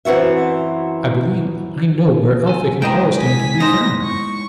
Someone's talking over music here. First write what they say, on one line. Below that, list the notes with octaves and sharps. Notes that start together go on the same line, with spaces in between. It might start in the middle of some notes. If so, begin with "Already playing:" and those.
I believe I know where Elphick and Cardlestone can be found.
F#2 E3 C4 F#4 E5
A4 G#5
G#3 E4 A#4 C5 D#5 G5
G#5 B6
D#4 C5 A#6
C#6